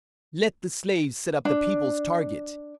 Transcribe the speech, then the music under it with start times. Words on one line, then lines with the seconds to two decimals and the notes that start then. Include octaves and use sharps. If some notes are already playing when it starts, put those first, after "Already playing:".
Let the slaves set up the people's target.
1.45 D4